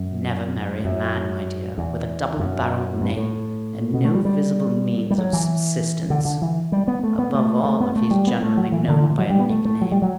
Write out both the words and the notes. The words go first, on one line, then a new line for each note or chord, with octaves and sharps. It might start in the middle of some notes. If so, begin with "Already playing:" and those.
Never marry a man, my dear, with a double-barrelled name and no visible means of subsistence; above all, if he's generally known by a nickname.
Already playing: F#2
F#2
E2
F#2
G2
A2
B2
A3
G3
G3
G3
F#3
E3
D3
D3
E3
G3
B3
A3
B3
A3
A3
B3
A3
G3
B3
A3
F#3
E3
D3
E3
F#3
G3
B3
A3
A3
F#3
G3
F#3